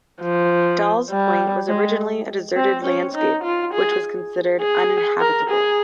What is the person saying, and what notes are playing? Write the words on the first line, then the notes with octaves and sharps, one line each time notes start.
Dolls Point was originally a deserted landscape, which was considered uninhabitable.
F3
G3
G#3
C4
C#4
D#4
F4
G#4
G#4
A#4
G#4